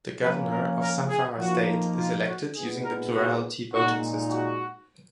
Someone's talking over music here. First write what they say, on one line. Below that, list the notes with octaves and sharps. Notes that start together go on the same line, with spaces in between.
The Governor of Zamfara State is elected using the plurality voting system.
F3 A#3 C#4 F4 B4
A#4
A#4
G#4
F3 A#3 D#4 F#4
F4
F#4
A#2 G#3 B3 D#4 G#4
A#4
F#4
A#2 G#3 D#4 F#4
F#4